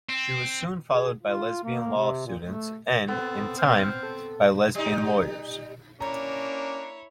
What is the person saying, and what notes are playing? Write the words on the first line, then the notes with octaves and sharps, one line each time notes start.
She was soon followed by lesbian law students and, in time, by lesbian lawyers.
C4
G#4
F4
A#3
C3
A#2
A3
B3 C4 A4
C5 F6
A4
G3 D#4
A#3 C#4 D4 E4 C#5 A#5